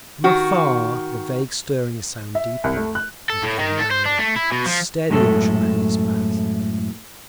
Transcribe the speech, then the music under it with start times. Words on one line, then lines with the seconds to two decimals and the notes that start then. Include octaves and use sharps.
From afar the vague stirring sound deepened and became louder, a steady and tremendous bass.
0.24 D#3 F#4
2.35 E5
2.64 C2
2.77 A3
2.95 F#6
3.30 A4
3.43 A2
3.59 D#3
3.79 A4
3.91 C5
4.06 D4
4.19 A3
4.36 E4
4.52 B2
4.66 F3
5.10 F#2 A2 G#3 A3 A4